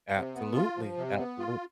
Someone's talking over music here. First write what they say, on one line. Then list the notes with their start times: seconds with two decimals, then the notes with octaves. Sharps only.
Absolutely, absolute
0.13 C3
0.35 B3
0.55 F4
0.77 F3
0.97 C3
1.17 B3
1.39 F4